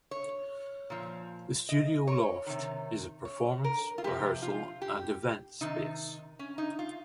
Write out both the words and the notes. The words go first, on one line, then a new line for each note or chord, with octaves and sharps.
The Studio Loft is a performance, rehearsal and event space.
C#5
A#2 F3
D#5
C#5
C3 D#3
C#5
A#4
F4
C3 F3 G4
F4
G4
C3 D#3 D#4
C#4
D#4
F4